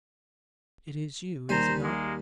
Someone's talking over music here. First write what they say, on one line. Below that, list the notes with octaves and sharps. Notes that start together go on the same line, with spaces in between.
"It is you--is it not?"
D#2 G3 C5 G#5 A#5
G#3 A#3